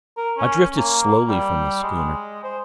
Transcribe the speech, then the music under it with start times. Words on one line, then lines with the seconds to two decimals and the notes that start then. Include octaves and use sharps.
I drifted slowly from the schooner.
0.17 A#4
0.38 C#4
0.77 A#3
1.28 G3
1.83 G#3
2.44 C5